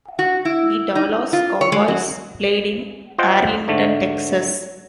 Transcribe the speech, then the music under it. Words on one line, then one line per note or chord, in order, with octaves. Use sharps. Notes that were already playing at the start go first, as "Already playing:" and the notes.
The Dallas Cowboys play in Arlington, Texas.
F#4
E4
D#4
F4
C#5
G#3
F#3
F4 C5 D#5 F#5 G5
G#2 D3 A3